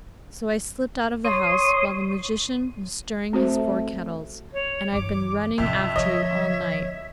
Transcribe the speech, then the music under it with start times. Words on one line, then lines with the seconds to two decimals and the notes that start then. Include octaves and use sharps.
So I slipped out of the house while the Magician was stirring his four kettles and I've been running after you all night.
1.24 C#5 C6 D#6
3.33 A3 C4 F#4 C5
4.53 C#5
4.92 G2 E3 D6
5.58 A1 F2 C3 E5
5.96 D3 F3 C#5 D#5